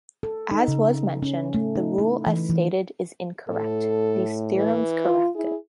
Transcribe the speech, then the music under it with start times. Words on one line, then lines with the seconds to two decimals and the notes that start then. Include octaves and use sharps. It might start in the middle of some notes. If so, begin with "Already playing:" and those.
As was mentioned, the rule as stated is incorrect; these theorems correct it.
0.23 A4
0.51 D#4
0.68 C#3
1.22 C#4
1.54 A3
1.76 D#4
1.98 E4
2.27 E3
2.50 E3
3.49 A2 A4
4.55 E3
5.04 F4
5.35 E4 G#4